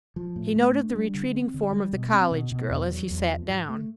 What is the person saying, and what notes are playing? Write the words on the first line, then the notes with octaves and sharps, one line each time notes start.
He noted the retreating form of the college girl as he sat down.
F3
A2
A3
D4
G3
D3
C4
D3
G3
B2
C4
B2
B2
E2
F#3
E2
F3
G#2
A3